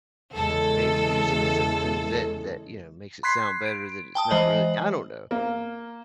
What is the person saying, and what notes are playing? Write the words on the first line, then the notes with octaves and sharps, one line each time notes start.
maybe using something that that, you know, makes it sound better that it's not really I don't know.
E2 C#3 G#3 A4
B5 C6 F#6 G#6 B6 C7
D7
G5 A5 D#6
E3 G#3 C5 D#5 F#7
A#3